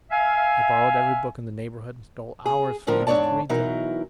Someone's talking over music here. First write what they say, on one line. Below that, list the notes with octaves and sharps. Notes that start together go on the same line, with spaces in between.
I borrowed every book in the neighbourhood and stole hours from rest to read them.
E5 F5 G#5
G#4
E2 A2 D3 F3 A#4
E2 G#2 D4 C#5 D5 A5
B2 E3 F#3 D#4 E4 A#4